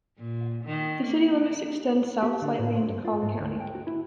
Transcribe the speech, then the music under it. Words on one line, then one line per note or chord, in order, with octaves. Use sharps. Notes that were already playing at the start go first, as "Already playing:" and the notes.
The city limits extend south slightly into Collin County.
A#2
D#3
A#3
G4
D3
A2
C5
G2
F4
G#2
D2
G5
F#4
E4